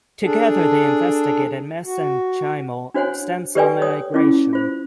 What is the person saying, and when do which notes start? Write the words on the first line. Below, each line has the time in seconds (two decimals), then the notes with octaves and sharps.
Together they investigated mesenchymal stem cell migration.
0.24 D4 G#4 A4
1.85 F#4
2.94 D4 F#4 C5 C#5 F#5 G#5
3.55 G4 A4 B4 D5 G5 G#5
3.81 C#5 D#6
4.14 C#4 E4 F4 D6
4.53 F4 C5